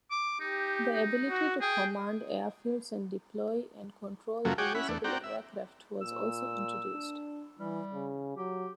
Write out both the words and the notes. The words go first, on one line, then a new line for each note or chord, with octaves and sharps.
The ability to command airfields and deploy and control reusable aircraft was also introduced.
D6
D#4 G4
D#4
F#4
G#4 G5
F#2 C#3 F3 F#3 A3 A#3
F#4 G#4 C#5 G5 D6
C#4 E4 F#5 B5
E2 A3 D4
C4 F#4 D5 G5 A#5
E5
A#2 E6
D4
E3 G3
C#3
F#3 G4